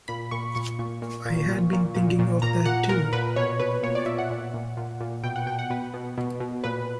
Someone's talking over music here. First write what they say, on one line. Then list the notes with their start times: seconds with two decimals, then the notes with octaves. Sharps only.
I had been thinking of that too.
0.08 A#2 B5
0.31 A#2 C#6
0.55 A#2 C#6
0.79 A#2
1.02 A#2
1.25 A#2
1.49 A#2
1.73 A#2
1.96 A#2
2.19 A#2
2.42 A#2 A#5
2.65 A#2 F#5
2.89 A#2 A#4
3.13 A#2 B4
3.36 B2 C#5
3.59 B2 B4
3.83 A#2 C#5
3.95 D5
4.06 A#2 E5
4.18 F#5
4.30 A#2
4.54 A#2
4.77 A#2
5.00 A#2
5.23 B2 G5
5.36 F#5
5.46 B2 G5
5.59 F#5
5.70 B2 B4
5.94 B2
6.18 B2
6.40 B2
6.64 A#2 B4